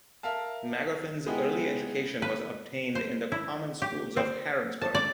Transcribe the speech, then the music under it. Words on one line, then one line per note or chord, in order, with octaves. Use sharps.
Magoffin's early education was obtained in the common schools of Harrodsburg.
A#4 E5 F5 A5
G#3 B3 D#4 E4 G4 G#4
B4
C5
E4
G4
C4
A5
D5